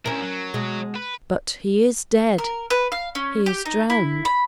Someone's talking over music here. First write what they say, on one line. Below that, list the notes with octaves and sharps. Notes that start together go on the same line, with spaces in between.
'But he is dead--he is drowned!'
D2 C#4 E4 A#4
F#3
B2 G#3
B4
A#4
B4
F5
C#4
G4
D#4
E4
B5